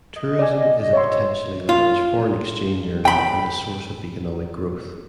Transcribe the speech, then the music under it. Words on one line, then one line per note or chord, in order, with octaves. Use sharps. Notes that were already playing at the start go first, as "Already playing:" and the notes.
Tourism is a potentially large foreign exchange earner and a source of economic growth.
D#5
D5 G#5
C#5 E5 C6
F4
G5 B5